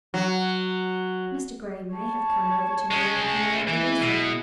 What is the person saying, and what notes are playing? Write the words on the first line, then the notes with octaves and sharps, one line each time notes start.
Mr. Grey may have come over to America for no other reason.
F#3
C#5 A5
G#3 C#4
E3 G#3 E4
B2